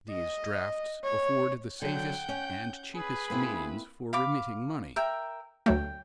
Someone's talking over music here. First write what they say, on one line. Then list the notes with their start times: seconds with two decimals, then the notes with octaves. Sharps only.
These drafts afford the safest and cheapest means for remitting money.
0.11 D#5
1.04 C#5
1.82 D3 F#3 F#5 G5 G6
2.29 C#4
2.94 G#4 B4 B5
3.30 A#3 C4 E4
4.13 F5 B5 D6
4.96 A#4 E5 G5
5.66 D2 F#3 A3 G5